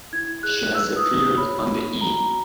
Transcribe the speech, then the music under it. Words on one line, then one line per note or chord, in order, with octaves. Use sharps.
She has appeared on the E!
E4 G#6
G#4 F#6
F#6
B4 E6
D#6
E4
D#6
C#5 B5
C#5
F#4 A#5